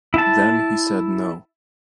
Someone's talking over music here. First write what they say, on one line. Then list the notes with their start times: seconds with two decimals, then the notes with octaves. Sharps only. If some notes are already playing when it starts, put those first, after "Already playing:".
Then he said no.
0.14 E4 A5